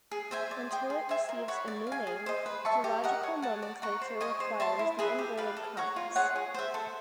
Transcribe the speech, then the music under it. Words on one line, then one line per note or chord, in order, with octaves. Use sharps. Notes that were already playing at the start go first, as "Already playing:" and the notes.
Until it receives a new name, zoological nomenclature requires the inverted commas.
G#4
C5 E5 G#5
D5
G5 C6 D#6
G#4
C5 E5 G#5
A#4
C#5 F#5 B5
D5
F5
G#5
G#4
C5 D#5
B4
E5 A5 C#6
G4
A#4 D#5 F#5
C#5
F#5 A5
D5
F#5 A#5 C#6
C5
D#5 G#5 C#6
C5
E5 A5 C6
E4
G#4 B4 E5
G4
B4 D5 F5
A4
C#5 F#5 A#5
F4
G#4 C#5 F#5
G#4
C5 E5
A4